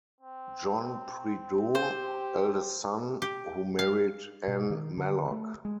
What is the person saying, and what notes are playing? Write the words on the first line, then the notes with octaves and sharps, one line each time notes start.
John Prideaux, eldest son, who married Anne Mallock.
C4
G4 C5
G4
F5
B2
D#3
D3
A3
G#3